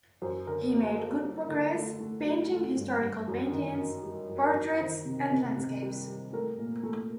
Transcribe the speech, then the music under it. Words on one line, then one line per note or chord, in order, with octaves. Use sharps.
He made good progress, painting historical paintings, portraits and landscapes.
F#2 C5
D3 A#4
A#3 A#4
A#3 A4
G3
D3
A3
A3
F#3
A3
G2
G2
F#2
D#3
D#3
G3
F#2
A#4
F#2
D#3 C5
C3
C3
C3
G3
G3
A3 A#4
A#2
A3